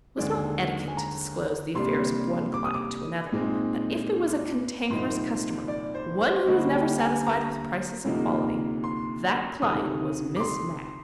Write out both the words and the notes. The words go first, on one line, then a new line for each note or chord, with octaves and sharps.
It was not etiquette to disclose the affairs of one client to another, but if there was a cantankerous customer, one who was never satisfied with prices and quality, that client was Miss Mapp. . . .
D#2 D3 G#3 D5
G#5
A#5
C3 G3 A#3 D4 C6
D6
D#6
D6
A#2 G#3 C4 D#4
C2 A#2 F3 C4 D#4 C6
D5
C5
C5
D2 D3 G3 A#3 D#5
G5
G#5
A#5
D2 C3 F3 A#3 D#4
C6
D2 C3 D#3 D#6
D6
C6